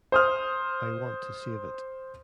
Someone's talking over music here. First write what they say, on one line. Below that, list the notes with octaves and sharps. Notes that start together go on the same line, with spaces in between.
I want to save it.
C5 D#6 F6